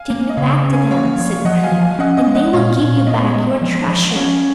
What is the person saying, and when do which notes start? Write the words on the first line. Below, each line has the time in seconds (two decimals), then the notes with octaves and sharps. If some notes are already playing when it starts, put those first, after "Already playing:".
"Take me back to them," said the dream, "and they will give you back your treasure."
Already playing: F5 G#5
0.10 A#3
0.29 D#5
0.37 C#3 C#5 F5
0.64 C#4
0.73 F5 G#5
0.91 A#3 C#5 F5
1.19 F3
1.45 F3 D#5 F#5
1.63 F5 G#5
1.72 F3
1.81 F5 G#5
1.99 C#4 D#5 F#5
2.17 D#5
2.27 G#3
2.35 D#5 F#5
2.53 A#2 C#5 F5
2.80 A#2
3.07 B3 D#5
3.21 C#5
3.34 G#3 D#5
3.62 F3
3.88 F3
4.10 F#5
4.15 C#4 C#5 F5